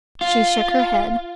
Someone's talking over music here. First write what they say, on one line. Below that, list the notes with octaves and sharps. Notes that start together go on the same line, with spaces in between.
She shook her head.
F4